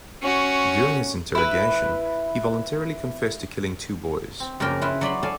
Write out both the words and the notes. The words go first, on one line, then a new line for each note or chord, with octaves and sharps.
During his interrogation, he voluntarily confessed to killing two boys.
C#4 F#4
E4 B4
C4
F#2 C#3 F3 A#3 A#4 G5
E4 F4 B4 E5
F#3 D5 B5 C6
A4 D5 F5 G#5 A5